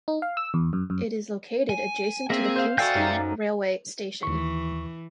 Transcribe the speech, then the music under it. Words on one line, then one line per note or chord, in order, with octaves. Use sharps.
It is located adjacent to the Kingston railway station.
D#4
F5
E6
E2
F#2
F#2
G#5
A#3 C4 G#4 E5
C5 F5
F#4 A4 D5 E5 F5 G5 G#5 G6
F#2 D#4
D#2 E3 C#6